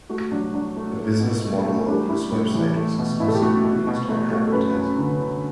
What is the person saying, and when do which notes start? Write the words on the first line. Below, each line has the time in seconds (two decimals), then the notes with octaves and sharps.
The business model of this website was exclusively based on advertising.
0.10 A3 F#4
0.31 F#3 D4
0.53 F#3 D4
0.76 A3
0.99 A3
1.20 B2
1.43 A3
1.65 A3
1.86 G3 D4
2.09 G3 E4
2.32 A2
2.54 E3
2.76 A3
2.98 B2
3.20 B2 E4
3.28 A4
3.34 G4
3.42 A3 F#4
3.64 B2
3.87 B2
4.09 A3
4.30 A3
4.47 A4
4.52 F#2 B4
4.75 F#2
4.98 D3
5.19 D3